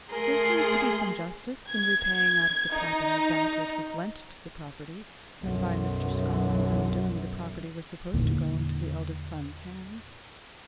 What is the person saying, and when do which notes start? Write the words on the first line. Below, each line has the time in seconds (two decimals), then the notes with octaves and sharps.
There seems to be some justice in repaying out of the property that which was lent to the property when by Mr. Scarborough's own doing the property was supposed to go into the eldest son's hands.
0.11 A3 G#4 A#4 C6
1.70 G#6
2.73 D#4
5.42 B1 F#2
8.14 E2 A#2 D3 A#3